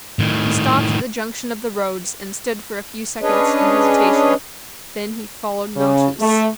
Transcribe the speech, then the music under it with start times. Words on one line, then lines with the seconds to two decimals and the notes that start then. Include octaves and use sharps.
He stopped at the junction of the roads and stood for a few seconds in hesitation, then he followed Malchus.
0.19 A2 D#3
3.22 C#4 D4 G#4 B4 C#5 D#5
5.76 C#3
6.20 A3